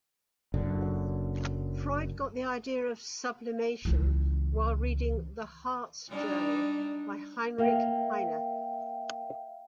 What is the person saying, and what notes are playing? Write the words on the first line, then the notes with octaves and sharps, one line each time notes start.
Freud got the idea of sublimation while reading "The Harz Journey" by Heinrich Heine.
F#1 F#2 D3
C#2 E3
G3 D4 D#4
A#3 E5 F5 G5